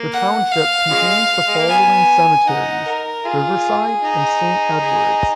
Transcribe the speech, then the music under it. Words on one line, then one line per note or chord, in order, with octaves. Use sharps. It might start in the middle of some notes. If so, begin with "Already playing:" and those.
The township contains the following cemeteries: Riverside and Saint Edwards.
Already playing: A#3
F#5
F5
C#3 F3 G#3
G#3
A#3
B3 G#5
D#4 F#5
A#4
F4 G#4
D#4
G#4